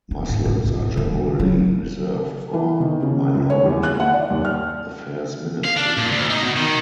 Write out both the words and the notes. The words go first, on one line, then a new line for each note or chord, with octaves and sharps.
Muslims are generally reserved for minority affairs ministry.
D4
G#2
G#2 C#4
A#1 F4
D3 G3
F#3 A3
E3
D#3
C#3
C#2
C#5
E2
F#6
F#5
D5
D#2
F6
F5
D4
A#2
D2
D#4
B2
D#3